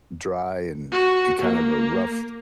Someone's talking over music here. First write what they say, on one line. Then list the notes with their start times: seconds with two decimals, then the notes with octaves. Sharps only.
dry and and kind of a rough
0.92 F#4
1.42 A#3